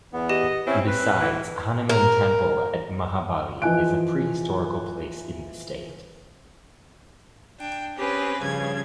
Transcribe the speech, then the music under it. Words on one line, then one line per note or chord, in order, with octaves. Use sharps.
Besides, Hanuman Temple at Mahabali is a pre-historical place in the State.
E2 B3
G4 D#5
C4 C#4 E4
B4
E3
A#4
E3 F3 D#5 G#5 F#6 D7
D4 G5
C4 C#4 G4 G#4 B4
G2 C#3 F3 G#6